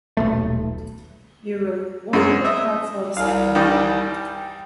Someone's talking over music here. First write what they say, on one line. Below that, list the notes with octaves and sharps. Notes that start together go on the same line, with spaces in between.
Europe won the cup for the second time.
D#1 B1 A3
F#2 G#3
D#5 E5
C2 F5
D#3 E3 G3